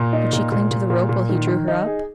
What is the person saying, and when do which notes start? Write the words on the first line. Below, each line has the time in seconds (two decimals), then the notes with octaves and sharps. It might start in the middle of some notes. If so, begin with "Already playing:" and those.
Could she cling to the rope while he drew her up?
Already playing: A#2
0.13 D#4
0.33 A#2
0.52 A#2
0.71 A#2
0.90 A#2
1.09 A#2
1.29 D#3
1.47 D#3
1.68 D#4
1.87 G#4